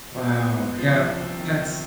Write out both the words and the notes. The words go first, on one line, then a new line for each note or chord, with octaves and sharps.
Wow, yeah, that's
G#3
B3
G#3
F3
C2
C3
D#3
D#3